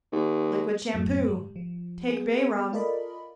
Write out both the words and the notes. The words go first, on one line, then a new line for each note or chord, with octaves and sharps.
Liquid Shampoo.--Take bay rum.
D#2
F#2 A2 F#3 A3
G#2 G3
F3
B3 G#4
F4 A4 A#4 D5 D#5 B5